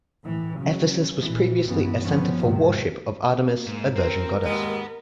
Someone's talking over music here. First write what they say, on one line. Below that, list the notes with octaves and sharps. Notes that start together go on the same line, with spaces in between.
Ephesus was previously a centre for worship of Artemis a virgin goddess.
A2 E3
C#3 F#3 C#4
A#2 E3
G2 E3 F3 B3 C#4
G1 F3 G3 B3 C#4
E2 G#2 C3 D#3
A#3
G#2
C4 A#4
D#2 G#2 G#3 B4 F#5